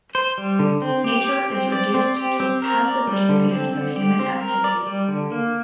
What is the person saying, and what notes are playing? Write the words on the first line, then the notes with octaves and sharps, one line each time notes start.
Nature is reduced to a passive recipient of human activity.
C5
G3
D3
C4
G4
G4
C4
D5
C4
G4
C4
A#4
D5
G3
D3
C4
D3
G4
C4
A#4
D5
G3
D3
A#3